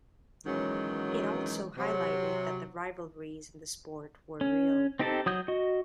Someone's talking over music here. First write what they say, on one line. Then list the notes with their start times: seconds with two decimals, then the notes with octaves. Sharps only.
It also highlighted that the rivalries in the sport were real.
0.46 B2 D#3 E3 F#3 G#3 C#4
1.77 C3 F#3 C4
4.41 C#4
4.99 C4 D#4 G4 A4 A5
5.26 F#3 D#6 G6
5.48 F#4 D#5